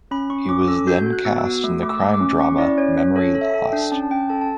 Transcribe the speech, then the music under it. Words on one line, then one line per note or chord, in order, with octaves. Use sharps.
He was then cast in the crime drama "Memory Lost".
C#4 B5
C#4 C#6
C#4 D6
A4 E6
F#4 G6
F#4
F#6
B3
E6
F#4
A3 E6
A3 D6
E6
A3
D6
C#4
C#4 C#6
E4 D5
C#4 C#5
C#4
A4 C#5
A4
E5
A4
G5
D4
C#4 A5
C#4 G5
A4 A5
A5